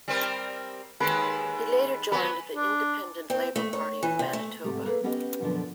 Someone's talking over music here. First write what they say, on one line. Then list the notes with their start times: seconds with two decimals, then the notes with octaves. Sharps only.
He later joined the Independent Labour Party of Manitoba.
0.08 G3 C4 A#4
1.00 D#2 D#3 G#3 B4
2.12 F#3 B3 B4 G#5
2.53 D4
3.30 C4
3.56 A3
3.73 C#5
4.03 E3
4.19 C3
4.33 A3
4.64 D2 G#2 C3 A3 G4
4.86 A#3 G#4 A4 B4
5.04 B3 C#4 G4 B4 D#5 F#5
5.40 F#2 B2 D3 F3 B3 D4